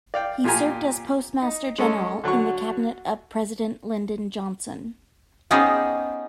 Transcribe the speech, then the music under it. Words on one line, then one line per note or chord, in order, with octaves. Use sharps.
He served as Postmaster General in the cabinet of President Lyndon Johnson.
D5 F5 G5
A#2 F3 F4 G4 G#5 A#5
D#4
G#3 C#4 A4
D3 F#3 F#4 C#6
B3 C#4 D#4 G4 G#4 C5